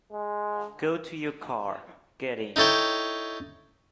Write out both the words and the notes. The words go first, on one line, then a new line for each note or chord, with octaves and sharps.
Go to your car, get in.
G#3
D#4 E4 A4 C#5 G5